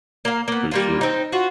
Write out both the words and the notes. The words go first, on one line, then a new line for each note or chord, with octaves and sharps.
For sure.
A#3 F5
A#3 B3
G3 A#3 F4
C4 D#4
F4 F#4